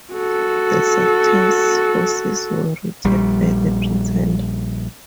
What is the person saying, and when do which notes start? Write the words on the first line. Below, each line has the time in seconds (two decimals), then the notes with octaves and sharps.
The Sultan's forces were routed by the pretender.
0.14 F#4 A4
3.05 A#1 G3